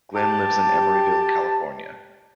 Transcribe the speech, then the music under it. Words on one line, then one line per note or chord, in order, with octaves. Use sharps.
Glenn lives in Emeryville, California.
G4 A5